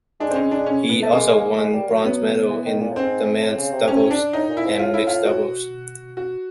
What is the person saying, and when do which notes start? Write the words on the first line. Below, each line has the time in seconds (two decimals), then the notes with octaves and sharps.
He also won Bronze Medals in the men's doubles and mixed doubles.
0.20 G#3 D4
0.31 C4
0.36 C#4
0.51 D4
0.66 C#4
0.89 B3
1.02 A3
1.12 G#3 A#3
1.58 G#3
1.73 G3
1.88 F#3
2.04 B3
2.50 E3
2.66 D#3
2.80 A#2
2.90 A2
2.96 G#2 C4
3.41 A2
3.57 C#3
3.72 C3
3.88 C#4
4.11 D4
4.33 A2 D#4
4.49 A#2
4.57 E4
4.65 G#2
4.79 A2 F4
4.94 E4
5.07 F4
5.25 F#4
6.17 F#4